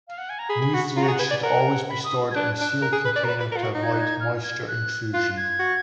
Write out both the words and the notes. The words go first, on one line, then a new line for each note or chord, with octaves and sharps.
New fluid should always be stored in a sealed container to avoid moisture intrusion.
F5
F#5
G#5
A#5
G#4 B5
G#4
F#4
F4 A#5
F#4
G#4
F#5
B4 G#5
D5
A#4 F#5
F#5
B5
D#6
G#6
D4 F#6
D4 F#6
A#4
G#4
B4
D5
A#4
B4
B4
A#4
F4
F#4
D#4
G#6
F#6
G#6
F6
G#6
F#6
F4 F#6
G#6
F#4